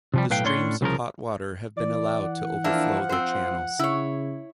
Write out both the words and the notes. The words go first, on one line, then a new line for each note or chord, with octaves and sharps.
The streams of hot water have been allowed to overflow their channels.
C3 F3 G3
B1 A2 B4 F5 G5
A2 C#4 D4 C#5 C6
C2 C#3 F3 A#4
E3 D5
F#5
F3 A#3 D4 E4
C4 C5
C#3 E4 C#5